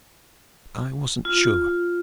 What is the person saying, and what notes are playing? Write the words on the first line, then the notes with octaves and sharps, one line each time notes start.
I wasn't sure.
F4